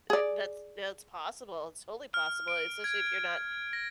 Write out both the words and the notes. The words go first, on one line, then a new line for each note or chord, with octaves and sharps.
It that's that's possible it's totally possible, especially if you're not,
G#4 D5
F6
D7
G#6
A#6